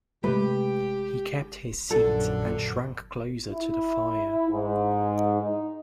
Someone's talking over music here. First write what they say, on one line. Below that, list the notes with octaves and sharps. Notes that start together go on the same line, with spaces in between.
He kept his seat, and shrank closer to the fire.
C3 G#3 A3 G4 B4
A#1 F#2 D3 A4
E4
G#2
D#4